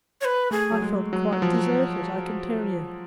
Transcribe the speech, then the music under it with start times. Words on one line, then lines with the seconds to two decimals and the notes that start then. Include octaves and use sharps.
I felt quite deserted, I can tell you.'
0.21 C#5
0.25 B4
0.51 A3 G#4
0.72 F#3
0.82 G#3
1.13 F#3
1.32 F#3
1.42 F3